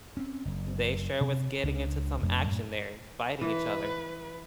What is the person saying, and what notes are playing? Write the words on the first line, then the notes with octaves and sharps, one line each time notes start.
they sure was getting into some action there, fighting each other.
C4 C#4
F#1
C3
C#2 D4
F1 F2 A3 D4
F#2 A2
E3 B4